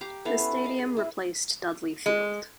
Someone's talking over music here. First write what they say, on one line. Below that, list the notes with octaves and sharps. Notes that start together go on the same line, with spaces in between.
The stadium replaced Dudley Field.
G4 F5 A#5 D6
B3 E4 A4 F5
C#4
D#5 F5
G#4
E4
G#3